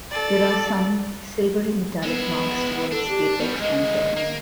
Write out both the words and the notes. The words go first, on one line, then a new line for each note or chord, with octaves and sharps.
There are some silvery metallic marks towards apex and termen.
A4 D5
G#3 B3 E4
D4 A4
G4
G3 B3 C#4
G#3 A#3 D#5
A#3